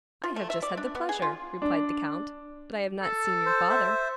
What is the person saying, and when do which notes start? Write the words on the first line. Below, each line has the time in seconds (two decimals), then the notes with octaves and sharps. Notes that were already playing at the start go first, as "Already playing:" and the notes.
"I have just had the pleasure," replied the count; "but I have not seen your father."
0.24 F4
0.36 A3
0.50 E5
0.63 D5
0.77 D4
0.95 B3
1.09 G#4
1.22 F4
1.62 D4
3.02 A4
3.46 C5
3.69 C5 E5